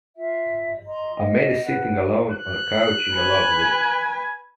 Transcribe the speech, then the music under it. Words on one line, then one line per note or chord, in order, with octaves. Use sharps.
A man is sitting alone on a couch in a log room.
F4 E5
D#5 A#5 C6
D#5
B4 F#5
F#6
B4 G#5